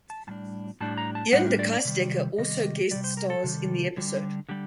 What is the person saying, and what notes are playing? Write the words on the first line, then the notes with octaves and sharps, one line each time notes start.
Iain De Caestecker also guest stars in the episode.
A5
A2 G3 D4 A5
A2 G3 D4 A5
A#5
A5
A2 G3 D4 F#5
A#4
D5
D5
C3 D#3 G3
C3 D#3 G3 D#5
C3 D#3 G3 D5
C5
A#4
A4
C3 D#3 G3
D3 G3 D4
D3 G3 G4